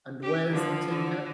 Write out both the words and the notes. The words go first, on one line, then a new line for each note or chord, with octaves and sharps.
And where's the tinker?
G4
D3 F3
D3